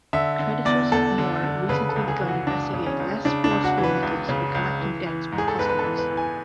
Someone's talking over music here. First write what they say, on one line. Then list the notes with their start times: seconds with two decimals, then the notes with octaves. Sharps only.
Creditors have more recently begun investigating less forceful methods for collecting debts from customers.
0.13 D3 E5
0.39 D3
0.65 E2 D5
0.92 E2 A4
1.18 D3
1.43 D3
1.69 C#3 B4
1.89 A4
1.96 C#2
2.08 G#4
2.22 E3
2.28 F#4
2.47 C#2 D4
2.73 C#3
2.86 C#4
3.00 C#2
3.25 C#3 D4
3.44 D4
3.51 C#2
3.64 F#4
3.77 E3
3.84 B4
4.03 C#2
4.29 C#3
4.55 C#2
4.80 E3
5.06 E3
5.32 G#2
5.38 G#4
5.48 A4
5.59 G#2 B4
5.69 B4
5.79 A4
5.84 E3
5.98 B4
6.11 E3
6.17 G#5